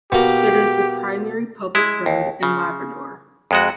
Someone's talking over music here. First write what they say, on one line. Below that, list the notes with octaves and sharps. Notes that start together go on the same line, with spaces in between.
It is the primary public road in Labrador.
B2 A#3 G4
G#3 E4
D#2
C#3
F2 G#3 F#4